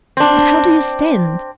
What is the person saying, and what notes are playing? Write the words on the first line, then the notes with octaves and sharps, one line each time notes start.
'But how do you stand?
C4 D4